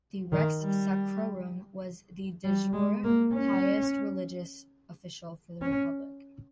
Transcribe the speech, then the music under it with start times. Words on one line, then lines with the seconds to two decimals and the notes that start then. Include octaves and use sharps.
The Rex Sacrorum was the "de jure" highest religious official for the Republic.
0.32 D#3
0.61 G3
2.44 G3
2.73 G#3
3.04 A#3
3.34 C#4
5.61 C#4